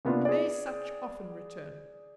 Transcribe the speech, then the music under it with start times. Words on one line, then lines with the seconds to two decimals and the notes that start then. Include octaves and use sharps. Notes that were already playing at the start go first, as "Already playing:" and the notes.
May such often return.
0.05 C3 A#3 B3 D4 F4
0.25 G#4 D5